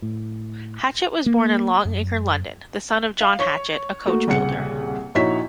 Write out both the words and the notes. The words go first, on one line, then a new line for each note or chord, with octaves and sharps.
Hatchett was born in Long Acre, London the son of John Hatchett, a coach-builder.
A2
A#3
F#2
F5
C#5 C#6
A3 A#3 F#4
D#1 C2 C#3 F#5 C#7
A#1 D#4 E4 F#4 C#5 B6